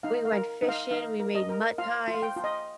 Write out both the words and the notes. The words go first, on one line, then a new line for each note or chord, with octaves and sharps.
we went fishing, we made mud pies,
D#4 F5
F5
A#4
D#4
F5
D#4 F5
A#4
D#5
A#4
F4 F5
F4
F5
G5
F4
D#5